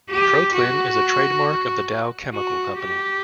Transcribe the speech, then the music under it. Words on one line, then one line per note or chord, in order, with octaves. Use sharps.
ProClin is a trademark of The Dow Chemical Company.
G4
F#4
F#4
G4